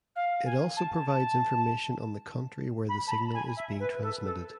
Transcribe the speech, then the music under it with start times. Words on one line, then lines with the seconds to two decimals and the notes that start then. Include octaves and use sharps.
It also provides information on the country where the signal is being transmitted.
0.15 F5
0.45 G#5
0.76 A5
1.06 A5
2.88 B5
3.07 A5
3.11 B5
3.34 G#5
3.56 E5
3.79 B4
4.02 A4
4.25 A4